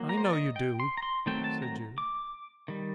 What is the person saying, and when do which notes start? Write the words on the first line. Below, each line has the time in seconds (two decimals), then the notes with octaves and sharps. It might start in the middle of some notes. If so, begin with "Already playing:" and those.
"I know you do!" said Jude.
Already playing: F#3 A#3
0.09 A#5
0.17 C5
0.25 D5
0.33 D#5
0.56 G5
0.80 C6
0.97 A#5
1.03 C6
1.26 D#3 F#3 A3 C4 G5
1.44 A5
1.62 A#5
1.98 D6
2.68 D#3 G3